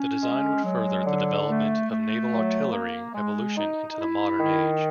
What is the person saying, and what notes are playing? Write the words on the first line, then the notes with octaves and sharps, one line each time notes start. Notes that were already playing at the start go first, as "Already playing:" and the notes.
The design would further the development of naval artillery evolution into the modern age.
Already playing: C#4
G#3
F#3
D3
A3
A3
F#3
A#3
G#3
D#4
E4
D#3